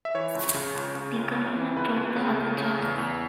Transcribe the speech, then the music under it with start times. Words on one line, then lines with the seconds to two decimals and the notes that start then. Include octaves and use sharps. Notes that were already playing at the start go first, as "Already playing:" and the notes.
The government dropped the other charges.
0.05 E5
0.14 E3 C#5
0.35 C#2
0.54 C#3
0.75 C#2
0.95 C#3
1.16 C#2
1.36 C#2
1.55 E3
1.76 C#2 B4
1.96 C#2
2.16 C#3
2.37 C#2
2.58 C#3
2.78 E2
2.98 E2